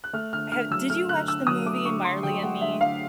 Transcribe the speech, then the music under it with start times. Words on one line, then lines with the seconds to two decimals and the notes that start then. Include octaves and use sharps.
have did you watch the movie Marley and Me?
0.04 F#6
0.13 A3 F6
0.33 D3 F6
0.52 D3 F6
0.71 F#3 E6
0.90 A3 F6
1.09 D3 F#6
1.28 D3 E6
1.47 F#3 D#6
1.66 A3 D6
1.85 D3 C#6
2.04 D3 C6
2.23 F#3 G5
2.43 A3 F#5
2.61 D3 E5
2.81 D3 F5